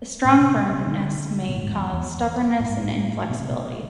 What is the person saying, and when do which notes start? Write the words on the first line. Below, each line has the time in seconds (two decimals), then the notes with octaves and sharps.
A strong Firmness may cause stubbornness and inflexibility.
0.25 A2
0.41 C3
0.56 B2
0.71 C3
0.87 D3
1.49 B2
1.56 A2
1.63 G#2
1.70 F2
1.78 E2
1.93 E2
2.60 A2
2.69 G#2
2.84 A2
3.30 B2
3.40 C3
3.51 B2